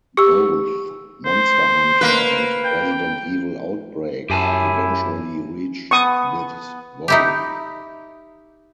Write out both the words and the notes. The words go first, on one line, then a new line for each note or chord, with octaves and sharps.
Both "Monster Hunter" and "Resident Evil Outbreak" eventually reached this goal.
G4 C#6 E6
C5
A#3 B4
G5
F#2 E4 G4 G#5 A5
B3 A5 C#6 D#6
D#4 E4 G4